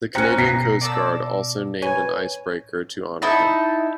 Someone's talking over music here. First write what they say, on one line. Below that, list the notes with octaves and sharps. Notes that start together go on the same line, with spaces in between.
The Canadian Coast Guard also named an icebreaker to honour him.
A3 C#4 C5 G5 A#5 F#6 A#6
B2 A#5 A#6 C7 C#7
D5 A5 E6
B4 C#5 G#5
D#4 E4 A5